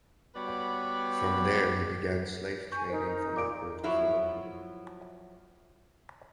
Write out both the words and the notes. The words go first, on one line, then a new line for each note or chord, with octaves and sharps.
From there he began slave trading from the Port of Liverpool.
G3 B3 F#4 B4 C#5 D5
G#5 C#6 G6
D#4 A#4 C5
A#2 D6 D7
F3 F#3 E4